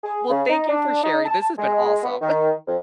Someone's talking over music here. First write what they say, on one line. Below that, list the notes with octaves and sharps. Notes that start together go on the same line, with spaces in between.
Well, thank you for sharing, this has been awesome.
G#4
C#3
D#4
D4
D#4
A5
G#3
B3
D#3
F2